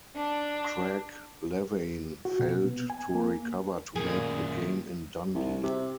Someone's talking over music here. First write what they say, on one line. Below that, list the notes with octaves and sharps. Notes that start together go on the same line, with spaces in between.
Craig Levein failed to recover to make the game in Dundee.
D4
F#4
B2
B3
G#5
A#3
F#2 A#2 D#3 G#4
C2
C3